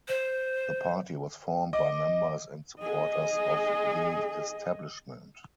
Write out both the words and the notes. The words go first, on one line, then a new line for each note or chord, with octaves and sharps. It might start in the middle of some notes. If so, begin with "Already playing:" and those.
The party was formed by members and supporters of the establishment.
C5
D#5 D6
G#4 D#5